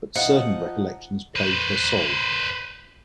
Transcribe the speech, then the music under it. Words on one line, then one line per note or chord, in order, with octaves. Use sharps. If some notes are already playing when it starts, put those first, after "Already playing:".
But certain recollections plagued her soul.
F3 D#4 F#5
B4 C5